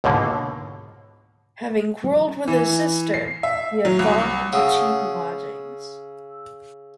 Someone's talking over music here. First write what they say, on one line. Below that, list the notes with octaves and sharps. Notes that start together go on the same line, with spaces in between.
Having quarrelled with his sister, he had gone into cheap lodgings.
C#2 G#2 B2 D3 A#3
E3
C7
E5
F#3
C2
C#3 F#5 D#6 E6